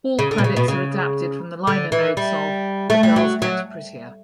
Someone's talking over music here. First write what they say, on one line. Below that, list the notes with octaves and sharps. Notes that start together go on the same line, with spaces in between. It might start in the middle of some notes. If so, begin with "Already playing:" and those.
All credits are adapted from the liner notes of "The Girls Get Prettier".
C#3
D3
B2
C#3
B2
C#3
D3
E3
G3
A3
G3
F#3
F#3